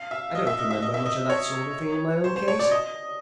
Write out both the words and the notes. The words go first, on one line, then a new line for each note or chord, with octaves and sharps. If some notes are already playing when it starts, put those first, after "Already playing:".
I don't remember much of that sort of thing in my own case.
Already playing: F5
E5
D#5
E5
D#5
E5
D#5
E5
D#5
C#5
C5
C5
C#5
D5
D#5